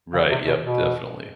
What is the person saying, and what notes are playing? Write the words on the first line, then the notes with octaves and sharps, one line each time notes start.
Right, yep, definitely.
C#3
C3
B2
B2